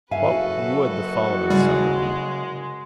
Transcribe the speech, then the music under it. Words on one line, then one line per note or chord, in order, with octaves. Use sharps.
What would the following summer be?
F#1 F#4 A4 B4 E5 F5 G#5
C#3 G3 G#3